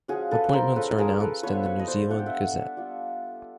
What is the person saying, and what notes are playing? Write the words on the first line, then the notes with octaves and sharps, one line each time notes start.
Appointments are announced in the New Zealand Gazette.
F3 G#3 C#4 F#4 G#4
A4 B4
A#4 C5
F3 G#3 C#4 A4 B4
G#4 A#4
A4 B4
G3 B3 D4 F4 B4 C#5
C5
B4 C#5
D#5
C5 D5
G3 B3 D4 F4 F#5
G5
E5 F#5
G3 B3 D4 F4